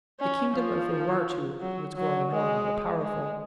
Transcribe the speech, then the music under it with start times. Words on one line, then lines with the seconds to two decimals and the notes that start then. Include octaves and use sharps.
The kingdom of Urartu was growing more and more powerful.
0.20 C#4
0.55 F3
1.60 F#3
1.96 F#3
2.32 G#3
3.01 G#3